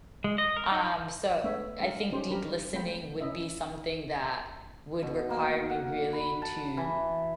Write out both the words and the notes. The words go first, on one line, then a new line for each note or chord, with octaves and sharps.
Um, so I think deep listening would be something that would require me really to
G#3
D#5
A#4
D#4
G#3 A3 B3 D4 C#5 E5
G#3 D4 A#4
C#4 D#4 F4 G4 C5
G3 D4 G4 A#4 B5
G#3 A3 C4 F4 G5 B5
C#4 E4 D#5 E5
B2
A#3
F#5
B5
A5
E3